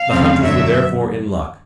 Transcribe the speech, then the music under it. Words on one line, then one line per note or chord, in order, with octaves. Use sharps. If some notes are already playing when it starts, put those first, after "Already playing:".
The hunters were therefore in luck.
Already playing: F5
E2 C#3 F3 A3 C4
F#2 D3 F#3 E5